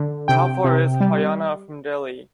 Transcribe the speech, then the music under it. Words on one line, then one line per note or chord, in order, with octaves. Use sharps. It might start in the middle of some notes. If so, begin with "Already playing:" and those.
How far is Haryana from Delhi?
Already playing: D3
C3 G5
C3
G3